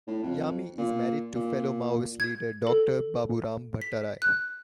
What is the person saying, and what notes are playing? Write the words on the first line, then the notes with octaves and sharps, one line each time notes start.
Yami is married to fellow Maoist leader Doctor Baburam Bhattarai.
A2
F2
A#2
A#2
G#6
A4
B6
F#6